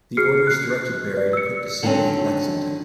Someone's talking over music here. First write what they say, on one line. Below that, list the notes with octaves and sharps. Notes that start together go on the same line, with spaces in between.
The orders directed Barry to put to sea in "Lexington".
F#4 G#4 F6 C7 C#7
F#6 C7
B4 D5
E6 C#7
D3 D#3 F#3 G3 C4 C#4